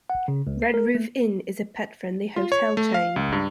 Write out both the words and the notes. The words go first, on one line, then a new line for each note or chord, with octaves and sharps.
Red Roof Inn is a pet-friendly hotel chain.
F#5
C#3
C#2
C7
A#4
A3
F4
C#5
A3
F5
C#2
G2